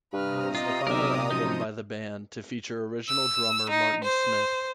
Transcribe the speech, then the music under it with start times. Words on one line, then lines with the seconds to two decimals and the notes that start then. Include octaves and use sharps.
It was the final album by the band to feature original drummer Martin Smith.
0.13 G2 C3 B4 A#5 D#6 F6
0.55 F4 D#5
0.87 B1 A#4 D#5 E5 D6
1.31 F#2 F3 D#4 C5 D#6 G6 C#7
3.09 E6
3.70 D#4
4.04 C5